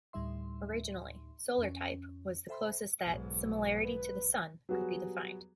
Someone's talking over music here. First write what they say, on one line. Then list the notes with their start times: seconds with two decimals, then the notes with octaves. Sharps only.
Originally, solar-type was the closest that similarity to the Sun could be defined.
0.13 D2 A2 G3 D#4 E5 C6
1.58 F2 C#4
2.49 A4 C5 E5 G5 B5 C6
3.04 B1 G#2
3.83 B4
4.69 F#3 G3 B3 F#4 G#4